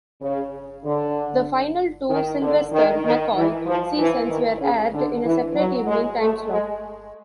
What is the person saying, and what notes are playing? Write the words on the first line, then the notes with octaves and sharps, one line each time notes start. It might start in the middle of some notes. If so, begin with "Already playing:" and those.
The final two Sylvester McCoy seasons were aired in a separate evening time slot.
C#3
D3
D#3
D3
D#3
D#3
E3
F3
E3
D#3
C#3
D3
E3
F#3
G#3
A3
G#3